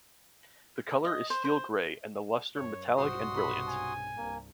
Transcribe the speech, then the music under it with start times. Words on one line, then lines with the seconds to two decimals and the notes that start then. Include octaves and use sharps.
The color is steel-gray, and the luster metallic and brilliant.
1.05 D#5
1.30 C5
1.45 C5
2.56 F#2 C#5
2.97 B1 G2 C3 F#4 C5 C6 D#6
3.37 B5
3.68 G#5
4.17 C2 G2 A#3